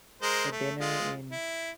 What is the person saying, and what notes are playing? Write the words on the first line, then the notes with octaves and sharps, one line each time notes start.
for dinner, and
G#3 A#4 C5
A3
G#3 F4
E4